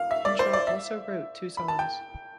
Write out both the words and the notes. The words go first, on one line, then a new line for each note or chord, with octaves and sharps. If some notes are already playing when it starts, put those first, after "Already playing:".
Henshaw also wrote two songs.
Already playing: F5
E5
D5
C5
D5
E5
B5
A5
G5